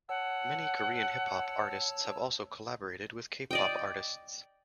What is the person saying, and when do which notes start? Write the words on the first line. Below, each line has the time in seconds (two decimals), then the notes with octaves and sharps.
Many Korean hip hop artists have also collaborated with K-pop artists.
0.09 C#5 F#5 A5 E6
3.51 D5 D#5 G5